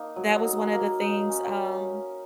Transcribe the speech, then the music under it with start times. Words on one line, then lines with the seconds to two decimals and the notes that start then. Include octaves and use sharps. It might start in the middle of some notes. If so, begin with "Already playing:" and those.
that was one of the things, um,
Already playing: A#3 D#4
0.16 F#3
0.45 D#4
0.73 A#3
1.01 D#4
1.29 C#4